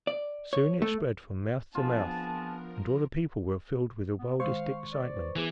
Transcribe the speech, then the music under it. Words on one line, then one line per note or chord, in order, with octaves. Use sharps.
Soon it spread from mouth to mouth, and all the people were filled with the wildest excitement.
D5
C#5
A3
F3 B3 C4 D4 F4 G#4 A#4 A5
B3
D#3 G#3 C5 F5 C#6
D5
B4
E3 B3 G#4 B4 D6